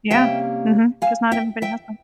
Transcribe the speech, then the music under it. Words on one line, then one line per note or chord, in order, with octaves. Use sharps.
Yeah, mhm, 'cause not everybody has one.
C3 G3 A#3 C#4 E5 G5
F5 G#5
E5 G5
E5 G5